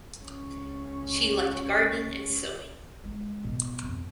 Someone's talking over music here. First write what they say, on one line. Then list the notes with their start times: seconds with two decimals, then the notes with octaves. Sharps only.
She liked gardening and sewing.
0.19 C#2 C#4
3.04 G#3
3.44 B2
3.83 F2